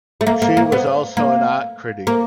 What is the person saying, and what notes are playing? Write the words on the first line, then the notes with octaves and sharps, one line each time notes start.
She was also an art critic.
A3
A#3
A#3
A#3
B3
A#3
A#3